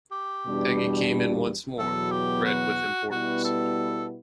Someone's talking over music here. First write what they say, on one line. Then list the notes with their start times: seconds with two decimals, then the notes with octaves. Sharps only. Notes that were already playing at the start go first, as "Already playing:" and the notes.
Peggy came in once more, red with importance.
0.12 G4
0.46 E2 B2 G3 D4
1.78 E2 B2 F#3 B3 A4
2.11 G4
2.45 F#4
3.11 B2 G3 B3 E4 F#4
3.45 A4